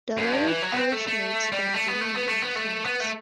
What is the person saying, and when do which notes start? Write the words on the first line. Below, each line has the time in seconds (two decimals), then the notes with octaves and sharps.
The rabbit originates from Germany and France.
0.18 F#2
0.32 G2
0.48 E3
0.63 F#3
0.72 B3
0.77 C4
0.92 A3
1.07 A3
1.52 G3
1.74 A3
1.88 B3
2.01 A3
2.15 B3
2.28 A3
2.42 B3
2.56 A3
2.85 B3
3.00 A3